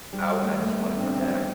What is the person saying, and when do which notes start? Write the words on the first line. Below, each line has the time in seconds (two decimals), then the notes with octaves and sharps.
out and I just wanna come back.
0.13 G3
0.42 A3
0.63 A3
0.71 B3
0.96 D4
1.00 C4
1.15 C4
1.21 B3